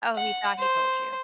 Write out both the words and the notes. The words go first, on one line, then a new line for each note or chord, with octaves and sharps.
Oh, he thought he told you.
F#5
C5